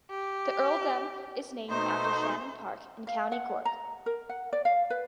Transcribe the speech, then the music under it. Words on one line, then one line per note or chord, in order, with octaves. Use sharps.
The earldom is named after Shannon Park in County Cork.
G4
B2 A3 D#4 C5
F5
F#5
A#5
A#4
F#5
D5
F5
B4